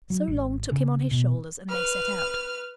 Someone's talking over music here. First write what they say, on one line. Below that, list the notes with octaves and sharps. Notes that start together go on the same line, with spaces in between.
So Long took him on his shoulders and they set out.
F#3
G#1
C#3
B2
B4 F6